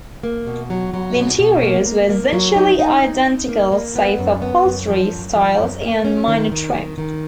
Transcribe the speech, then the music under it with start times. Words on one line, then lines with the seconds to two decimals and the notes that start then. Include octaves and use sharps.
The interiors were essentially identical save for upholstery styles and minor trim.
0.23 A#3
0.47 B2
0.70 F#3
0.93 F#3
1.16 B2
1.39 B2
1.63 A#3
1.86 A#3
2.10 A#3
2.33 F#3
2.56 D#4
2.79 D#4
3.02 D#4
3.26 D#4
3.49 A#3
3.72 A#3
3.96 B3
4.18 F#2
4.42 B3
4.65 F#2
4.88 F3
5.12 F#2
5.35 F3
5.58 F#2
5.82 A#3
6.05 C#4
6.28 D#3
6.52 D#3
6.74 D#3
6.98 D#3